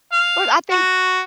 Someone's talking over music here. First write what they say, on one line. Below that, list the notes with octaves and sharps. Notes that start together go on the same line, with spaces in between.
Well, I think
F5
F#4